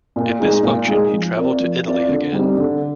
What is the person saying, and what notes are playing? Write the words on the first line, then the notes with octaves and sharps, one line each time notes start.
In this function he travelled to Italy again.
A#2
G#3 D#4 G#4
A#2
G#3 D#4 G#4
F3
C4 F4 A#4 D5
F3
C4 F4 A#4 D5
D3
G3 C4 D#4 G4
D3